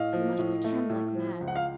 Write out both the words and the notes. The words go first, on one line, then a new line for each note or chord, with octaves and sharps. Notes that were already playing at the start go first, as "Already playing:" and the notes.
We must pretend like mad.
Already playing: A2 D#5 F5
F3
A2
A3
A2
F3
C#2
F#5
F5